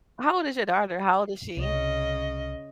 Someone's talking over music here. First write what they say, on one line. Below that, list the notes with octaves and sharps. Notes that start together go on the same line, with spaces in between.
How old is your daughter? How old is she?
C2 C#3 C#4 D#5